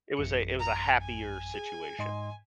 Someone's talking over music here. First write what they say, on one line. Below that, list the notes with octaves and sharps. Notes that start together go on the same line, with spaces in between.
it was a it was a happier situation.
A1 F#2 C#7
A#5
G#5
G#4
G#2 D#5 C6